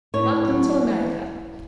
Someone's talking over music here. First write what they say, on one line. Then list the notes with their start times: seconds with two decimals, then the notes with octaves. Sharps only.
Welcome to America.
0.14 A2 C#5
0.47 F#3